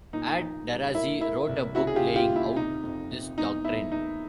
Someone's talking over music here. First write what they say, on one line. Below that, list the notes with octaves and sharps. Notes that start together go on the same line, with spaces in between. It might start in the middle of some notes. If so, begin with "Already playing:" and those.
Ad-Darazi wrote a book laying out this doctrine.
A#2 D#4
D#4
G3
A#3 E4
A#3 E4
C2
C#3 E4 F#4
G#4
F4 G4
C#3
F4 G4
D#2
E4
C3 D#4
F2
C3
E2 D#4
E2 E4
E2 D#4